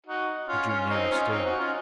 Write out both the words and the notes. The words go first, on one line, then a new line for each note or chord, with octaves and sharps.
He drew nearer still.
D#4 F#4
C#4 F4
C#4 F4
C4 D#4
C#4 F4
C4 D#4
D#4 F#4
C#4 F4